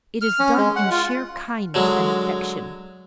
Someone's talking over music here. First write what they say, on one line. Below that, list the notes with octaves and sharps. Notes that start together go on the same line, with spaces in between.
It is done in sheer kindness and affection.
F6
C#4
G#3
F#5
F4
D3 F#3 G#3